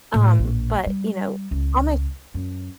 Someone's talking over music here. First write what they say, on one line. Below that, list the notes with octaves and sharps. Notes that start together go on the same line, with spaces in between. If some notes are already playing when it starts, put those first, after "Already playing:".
Um, but, you know, all my
A2
A#1
G3
C#2
F#2